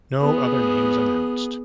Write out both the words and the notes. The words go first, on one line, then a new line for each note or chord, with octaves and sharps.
No other names announced.
B3 G#4